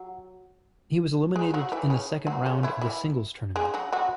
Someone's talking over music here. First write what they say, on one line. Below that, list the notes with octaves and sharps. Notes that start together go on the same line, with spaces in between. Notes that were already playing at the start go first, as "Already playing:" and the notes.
He was eliminated in the second round of the singles tournament.
Already playing: F#3
G#3 G#4
F#3 F#4
E3 E4
C#3 C#4
F#3 F#4
C#3 C#4
E3 E4
E3 E4
G#3 G#4
F#3 F#4
F#3 F#4